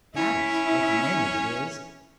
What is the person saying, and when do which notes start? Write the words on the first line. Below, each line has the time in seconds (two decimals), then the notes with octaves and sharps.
That is what the name of it is.
0.16 C#4 E4